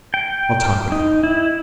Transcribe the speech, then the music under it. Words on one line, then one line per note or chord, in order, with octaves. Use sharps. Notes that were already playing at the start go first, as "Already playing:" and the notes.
I'll talk with him.
G5
D#4
E4